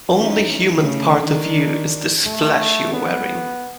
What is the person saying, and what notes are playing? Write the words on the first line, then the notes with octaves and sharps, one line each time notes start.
Only human part of you is this flesh you're wearing.
E3 C#4 D#4
C#3 A3
D#3 D4
A3
B3